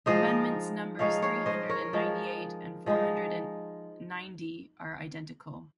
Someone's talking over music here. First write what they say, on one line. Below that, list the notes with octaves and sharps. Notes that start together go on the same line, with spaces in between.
Amendments numbers three hundred and ninety-eight and four hundred and ninety are identical.
F3 G#3 D#4 C5 D#5
F3 G#3 D#4 C#5 F5
C#5 F5
C5 D#5
A#4 C#5
F3 G#3 D#4
F3 G#3 D#4